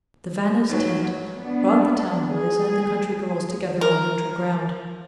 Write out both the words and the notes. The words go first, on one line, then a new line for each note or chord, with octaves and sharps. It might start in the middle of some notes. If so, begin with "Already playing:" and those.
The Vannis' tent brought the town boys and the country girls together on neutral ground.
G#2 F#3 B4
B3 D4
G#4
A#4